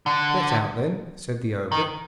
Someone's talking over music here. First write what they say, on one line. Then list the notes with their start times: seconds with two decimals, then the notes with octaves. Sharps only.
'Get out, then!' said the ogre.
0.06 D3
1.72 D#3